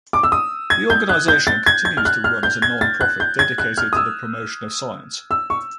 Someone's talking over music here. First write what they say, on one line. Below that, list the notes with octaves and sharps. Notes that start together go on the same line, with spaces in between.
The organization continues to run as a non-profit dedicated to the promotion of science.
D6
E6
D#6
G#6
G6
F#6
G6
A6
G#6
G#6
F6
F#6
F6
G6
G#6
A6
F#6
G6
G#6
F#6
F6
D#6
E6
E6
C#6